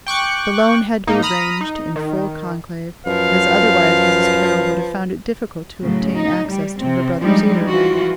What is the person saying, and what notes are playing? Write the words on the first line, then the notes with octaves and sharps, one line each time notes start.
The loan had to be arranged in full conclave, as otherwise Mrs. Carroll would have found it difficult to obtain access to her brother's ear.
G5 C#6 D6 F#6
A2 A#3 D#4
A#5 B5 D#6 F6
D#4
D#3
F#2 F3 B4 F5
A2 C#3 F#3
D#4
G3
C3 C4
F3 G3 G#3 D4 D#4
E3 F3 F4 F#4